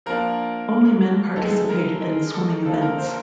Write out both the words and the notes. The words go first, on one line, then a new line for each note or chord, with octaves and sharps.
Only men participated in the swimming events.
F3 A#3 D4 A#4
E3 G#3 B3 D#4 A4
G#4
A4
A#4
D#5
A4
F3 A#3 D4 A4
A#4
C5